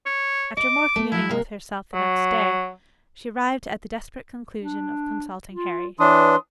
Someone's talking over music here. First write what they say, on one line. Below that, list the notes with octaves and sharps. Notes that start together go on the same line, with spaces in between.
After more communing with herself next day, she arrived at the desperate conclusion of consulting Harry.
C#5
D#5 D6
A3
F3 F#3 E4
C3 A#3
F#3
D4
F4
E3 D4 B4 C#5 C6 D#6